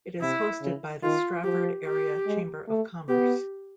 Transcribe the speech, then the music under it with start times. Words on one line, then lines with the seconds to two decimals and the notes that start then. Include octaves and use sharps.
It is hosted by the Strafford Area Chamber of Commerce.
0.21 C3 E4
0.61 C#3
1.02 D#3 F4
1.44 F3 G4
1.86 G4
2.26 G#3
2.68 A3
3.09 B3 G4